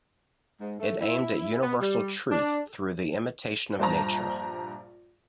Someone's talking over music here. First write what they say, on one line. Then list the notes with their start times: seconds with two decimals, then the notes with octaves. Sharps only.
It aimed at universal truth through the imitation of nature.
0.61 G#2
0.80 A3
1.01 E4
1.63 B3
1.81 G3
2.32 D4
3.79 A#1 G2 C5 A5 A#5